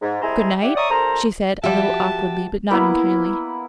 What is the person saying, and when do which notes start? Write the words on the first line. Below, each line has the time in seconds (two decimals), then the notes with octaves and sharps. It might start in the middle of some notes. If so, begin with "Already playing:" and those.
"Good night," she said, a little awkwardly, but not unkindly.
0.02 G#2
0.22 C2 G#3 E4 G#4 C5 A#5
0.62 E4 G4 D5 F#5
0.76 C#5 D5 E5 A#5 C#6 D#6
0.90 C2 A4 A#4 C5 A#5 C6
1.64 F3 F#4 G4 E5 A5
2.71 A#3 B3 E4 B4